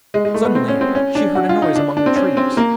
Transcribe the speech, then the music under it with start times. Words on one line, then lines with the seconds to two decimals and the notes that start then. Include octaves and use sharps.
Suddenly she heard a noise among the trees.
0.14 G#3
0.25 G#3
0.34 A3
0.45 B3
0.55 C4
0.68 C#4
0.81 C4
0.95 C#4
1.15 D4
1.35 F#4
1.49 F4
1.62 D#4
1.76 D4
1.97 D4
2.06 C4
2.16 C#4
2.37 C4
2.57 A#3